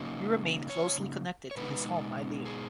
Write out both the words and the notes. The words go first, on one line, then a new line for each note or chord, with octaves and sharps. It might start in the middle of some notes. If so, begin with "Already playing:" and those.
He remained closely connected to his home milieu.
Already playing: C#3 F#3 A#3 D#4
C#5
C#5
B2 G#3 B3 D#4 B4
G#4